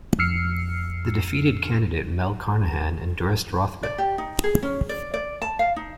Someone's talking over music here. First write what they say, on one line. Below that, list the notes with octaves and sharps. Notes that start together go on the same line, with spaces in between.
The defeated candidate Mel Carnahan endorsed Rothman.
F2 E6 F6 C7 C#7
D5
G4
D#4
G#4
C#4
D5
D5
A5
F5
D#4